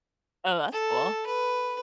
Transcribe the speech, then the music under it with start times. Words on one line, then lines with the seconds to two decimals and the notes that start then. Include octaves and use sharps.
Oh, that's cool.
0.73 A4
1.27 B4